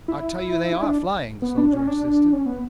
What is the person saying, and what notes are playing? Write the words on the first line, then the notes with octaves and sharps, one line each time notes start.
"I tell you they ARE flying," the soldier insisted.
E4
E4
D4
B3
D4
C#4
D4
C#4
B3